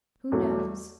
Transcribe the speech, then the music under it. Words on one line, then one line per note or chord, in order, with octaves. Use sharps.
"Who knows?"
E2 B2 F#3 A3